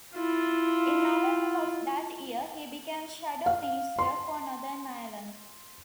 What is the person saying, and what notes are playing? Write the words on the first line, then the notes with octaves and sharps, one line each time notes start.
In November of that year he became shadow minister for Northern Ireland.
E4 F4
F5
C6